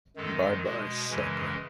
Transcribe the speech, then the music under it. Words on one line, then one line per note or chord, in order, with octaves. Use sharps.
Bye-bye, sucker!
F#2 D#3 G#3 A4
B2 G#3 F#4
F#2 C#3 E3 G#3 C#4